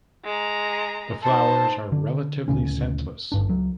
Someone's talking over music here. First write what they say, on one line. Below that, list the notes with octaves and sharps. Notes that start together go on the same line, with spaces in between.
The flowers are relatively scentless.
G#3 A#5
D#4 C5 A5
D3
D2 A#2 C#3 C#4
G1 G2 D4
C#2 F#3